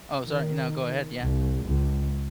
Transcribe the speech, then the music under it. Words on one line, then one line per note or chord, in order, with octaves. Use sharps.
Oh, sorry. No, go ahead, yeah.
D#3
C2
C#2